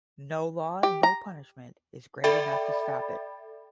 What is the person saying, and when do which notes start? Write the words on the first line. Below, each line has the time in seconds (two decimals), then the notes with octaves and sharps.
No law and no punishment is great enough to stop it.
0.83 G4
1.03 A#5
2.24 A4 D5 E5 G5 B5 A6